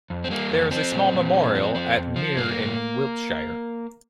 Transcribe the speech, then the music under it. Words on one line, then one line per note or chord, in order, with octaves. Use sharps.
There is a small memorial at Mere in Wiltshire.
F2
C4
G3 A#3
F2
F3 C4
A#2
A#2
F3
F3
F3
F2
F3
G2 A#3
G2